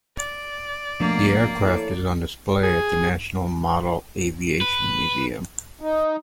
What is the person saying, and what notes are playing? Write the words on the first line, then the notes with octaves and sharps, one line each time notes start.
The aircraft is on display at the National Model Aviation Museum.
D5
D2 B2 F3 A3 A#3 D4
E4 A4 C#5
G#4
B4
D#4